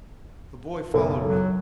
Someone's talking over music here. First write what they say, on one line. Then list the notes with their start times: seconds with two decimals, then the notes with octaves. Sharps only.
The boy followed me.
0.94 F#1 B1 A4
1.24 F#3